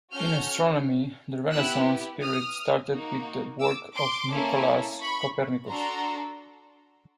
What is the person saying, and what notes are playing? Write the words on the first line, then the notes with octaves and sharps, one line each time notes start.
In astronomy, the renaissance period started with the work of Nicolaus Copernicus.
C#4 F#4 A4 F6 G6
B3 E4 G4 E6 F#6
D#6 F6
A#3 D#4 F#4
D6 E6
C6 D6
A#3 C#4 E4 A4
B5 C#6
D4 F#4 A4 A#5 C6